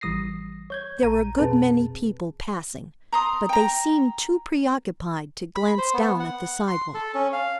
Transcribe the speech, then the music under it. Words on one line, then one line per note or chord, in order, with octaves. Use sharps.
There were a good many people passing, but they seemed too preoccupied to glance down at the sidewalk.
A1 E3 G3 D#6 A#6 C7
C#5 G6 G#6
A#1 A#5 D#7
F2 B2 C4 G#4 B4 A5
A#5 C6 D#6
G5 A#5
B5
C5
B3
F#5
C6
A4
C#4
F5